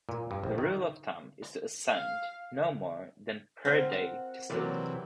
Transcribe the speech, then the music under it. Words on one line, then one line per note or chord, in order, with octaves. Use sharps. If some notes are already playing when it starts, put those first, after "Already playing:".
The rule of thumb is to ascend no more than per day to sleep.
A#2
G2
A#1
D#3
F5
C4 F4 A#4 F#5
C3 E3 F#3 A#3 B4 D5